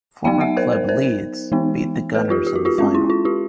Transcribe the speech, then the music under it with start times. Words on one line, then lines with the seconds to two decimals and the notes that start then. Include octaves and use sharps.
Former club Leeds beat the "Gunners" in the final.
0.25 F#3 B3 D#4 F5 G5
0.40 E5 F#5
0.57 A#4 C5
0.72 A#4 C5
0.88 A#4 C5
1.52 E3 G#3 B3 D#4
2.14 A4 B4
2.30 F4 G4
2.47 G4
2.55 F#4
2.65 F4 G4
2.78 G#3 C#4 F4
2.94 E4
3.10 F4
3.25 F4 G4